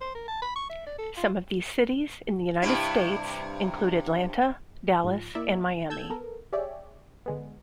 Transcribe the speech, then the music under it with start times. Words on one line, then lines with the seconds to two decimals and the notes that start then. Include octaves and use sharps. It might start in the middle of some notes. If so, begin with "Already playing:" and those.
Some of these cities in the United States, include Atlanta, Dallas, and Miami.
0.01 C5
0.15 A#4
0.28 A5
0.42 B5
0.56 C#6
0.70 E5
0.86 D5
0.98 A4
1.17 F4
2.62 G2 C3 E4
5.04 G#2 F3
5.35 A#3 E4 D5 E5
5.90 A4 A5 E6 G6 G#6
6.10 B3 A4 A#4
6.53 G4 G#4 C#5 D5 E5
7.26 D3 G#3 B3